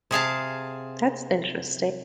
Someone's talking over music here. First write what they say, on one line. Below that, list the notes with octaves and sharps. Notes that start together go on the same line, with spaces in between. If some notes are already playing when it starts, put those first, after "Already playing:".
That's interesting.
C3 G#4 F5 A5